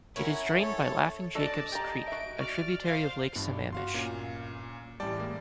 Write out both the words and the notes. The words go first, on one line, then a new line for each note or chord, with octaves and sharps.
It is drained by Laughing Jacobs Creek, a tributary of Lake Sammamish.
C#4 E4 A#4 F#5
A4 C#5
D4 F#4 A4 D5 D#5 A5
G4 A#5
F#4 E5 D7
F#4 D5 F6
C5 F5
G1 G2 D4
F#4 F5 C6
A#2 C#4 F5
A1 G3 D5 G5 A5
G#3 A#3